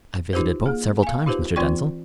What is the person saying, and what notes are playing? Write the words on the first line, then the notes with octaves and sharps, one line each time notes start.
"I've visited both several times, Mr. Denzil."
D#4 F4 G4 B4 C5
A#3 G#4
F5 G#5
D#4 F4 G4 B4 C5
E3 C4 F4 D5 G5 C#6